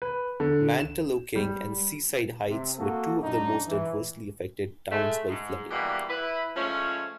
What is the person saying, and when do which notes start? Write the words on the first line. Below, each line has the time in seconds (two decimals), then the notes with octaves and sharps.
Mantaloking and Seaside Heights were two of the most adversely affected towns by flooding.
0.02 B4
0.40 D3
0.80 E7
1.36 G3
2.48 C3
2.78 A#3 F#4 A4
3.22 F#2 D4 D#4
3.67 E3
4.91 G#3 A3
5.28 G#2
5.71 B2 E3 G3 G#3 A#3 G4
6.09 E4 B4
6.56 F3 G#3 A3 C#4